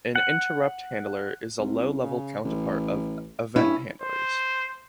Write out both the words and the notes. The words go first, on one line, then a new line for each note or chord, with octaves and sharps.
An interrupt handler is a low-level counterpart of event handlers.
F#5
C2
C#3
A1
G2 C#4 E4
C5